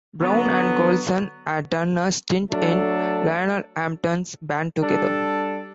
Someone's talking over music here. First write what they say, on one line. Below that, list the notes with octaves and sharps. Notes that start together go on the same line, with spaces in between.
Brown and Golson had done a stint in Lionel Hampton's band together.
D3 F#3 B3
F#3 A3 D4 A4
G3 D4 A4